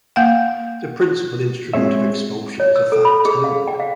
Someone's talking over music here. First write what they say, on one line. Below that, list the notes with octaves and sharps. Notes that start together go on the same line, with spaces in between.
The principal instrument of expulsion was a fat toad.
A#3 F5 F#5
G#3 C4 G#4 C#5 E5
C#5
E6
A4
B5
G#4
F5
G5
F5